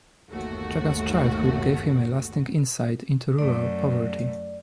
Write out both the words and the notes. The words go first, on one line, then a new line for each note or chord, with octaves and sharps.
Jagan's childhood gave him a lasting insight into rural poverty.
G1 D#2 A3 F#4
F#2 A3 D5